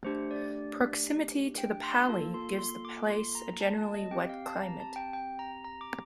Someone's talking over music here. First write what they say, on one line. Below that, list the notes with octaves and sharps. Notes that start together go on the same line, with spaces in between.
Proximity to the "pali" gives the place a generally wet climate.
A3 D4 G4 C5
D5
G5
C6
A#3 F4 A4 A5
C6
C6
D6
C6
A#5
A5
A5
D#5
C4 G4 G5
F5
A5
A#5
A5
G5
G5
A#5
A#5
D6